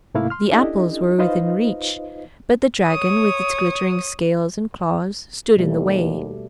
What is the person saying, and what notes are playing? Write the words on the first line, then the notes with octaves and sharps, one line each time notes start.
The apples were within reach, but the dragon, with its glittering scales and claws, stood in the way.
G#2 C3 A3 A#3 E4 F5
C6 F6
C#4 D4 E4 G4 A4 D#5
D#4 F4 B4 C5 D#5 F5
C#5 D#6
D#2 B2 G3 A3